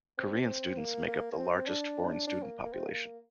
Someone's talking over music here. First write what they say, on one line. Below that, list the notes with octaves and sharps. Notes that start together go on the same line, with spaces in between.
Korean students make up the largest foreign student population.
C4
C4
A#3
A#3
A#3
C4
D4
D4
A#3
A#3
C4
A#3